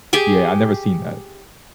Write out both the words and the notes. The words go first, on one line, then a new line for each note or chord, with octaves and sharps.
yeah, I've never seen that.
G4 G#4 G5 G#5